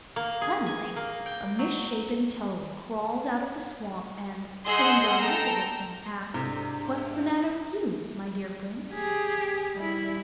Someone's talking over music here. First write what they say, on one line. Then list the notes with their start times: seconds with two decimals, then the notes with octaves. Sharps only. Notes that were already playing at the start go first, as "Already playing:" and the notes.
Suddenly a misshapen toad crawled out of the swamp, and, sitting down opposite him, asked: 'What's the matter with you, my dear Prince?'
0.16 A#3
0.42 G#4
0.66 G#5
0.96 A#3
1.26 G5
1.59 F#3
4.65 G#4 D#5 F#5 C6 E6 G6
5.21 A4 G5 A#5
6.34 G#2 C3 D4 E4 A4
8.94 G4 G#4
9.75 G3 E4